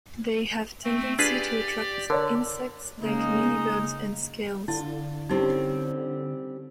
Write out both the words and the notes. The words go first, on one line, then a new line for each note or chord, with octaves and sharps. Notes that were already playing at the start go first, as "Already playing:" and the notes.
They have a tendency to attract insects like mealybugs and scales.
A3 C4
D4 F4 G4 G#4 B4 D5
D3 A#4 C#5 D5
C#3 G#3 A#3 D#4
D3 E4 F4
G3 C4 C#4 D#4 E4 G4